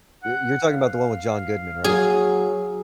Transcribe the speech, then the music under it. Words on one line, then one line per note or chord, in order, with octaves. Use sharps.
y you're talking about the one with John Goodman, right?
F#5
F5
F#3 G#4